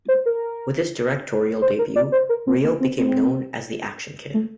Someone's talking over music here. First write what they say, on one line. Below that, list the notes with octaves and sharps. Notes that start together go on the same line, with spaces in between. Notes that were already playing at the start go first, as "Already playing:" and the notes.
With his directorial debut, Ryoo became known as the Action Kid.
C5
A#4
C5
A#4
D5
C5
A#4
C4
A#3
C4
C4
A3